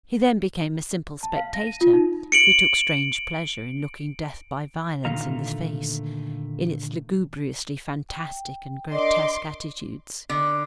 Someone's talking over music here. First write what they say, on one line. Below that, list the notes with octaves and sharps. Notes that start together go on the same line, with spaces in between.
He then became a simple spectator, who took strange pleasure in looking death by violence in the face, in its lugubriously fantastic and grotesque attitudes.
A5
F5
A#6
D#7
F4
D#4
C#7 D7 F#7
A#2 D3 D#3 A3 F5 A#5
G5
D4 A#4 D5 D#5 C6 D6
D3